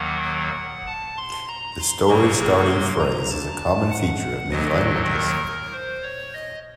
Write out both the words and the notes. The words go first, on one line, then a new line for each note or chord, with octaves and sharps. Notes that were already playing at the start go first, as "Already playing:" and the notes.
The "story-starting phrase" is a common feature of many languages.
Already playing: D#2 D#3 F#3 A#3 F#5
A5
C6
A#5
C6
C3 F#3 A#3 C#6
C6
A#5
A5
F#5
D#2 D#3 F#3 D#5
A#4
C5
C#5
D#5